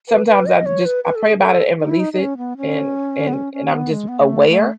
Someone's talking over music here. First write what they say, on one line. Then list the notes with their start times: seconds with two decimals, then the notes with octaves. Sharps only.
Sometimes I just I pray about it and release it, and and and I'm just aware,
0.08 B4
0.27 B4
0.46 D#5
0.66 C#5
0.85 B4
1.04 B4
1.15 A4
1.28 G#4
1.39 A4
1.80 D#4
1.90 E4
2.00 D#4
2.13 D#4
2.19 C#4
2.37 B3
2.57 C#4
3.27 B3
3.34 C#4
3.53 C#4
3.72 B3
3.91 G#3
4.08 B3
4.20 A3
4.48 A3